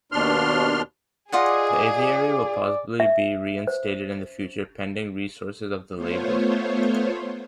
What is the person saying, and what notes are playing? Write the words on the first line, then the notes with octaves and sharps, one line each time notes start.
The Aviary will possibly be re-instated in the future pending resources of the label.
D#2 B2 D4 C6 F6
F4 G#4 D5 D#5 F#5
E5
C5
A3 B3 F4 C5 C#5